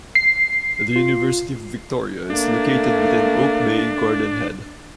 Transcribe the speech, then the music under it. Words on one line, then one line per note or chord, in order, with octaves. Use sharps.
The University of Victoria is located within Oak Bay-Gordon Head.
C7
F4
A3 A#3 D4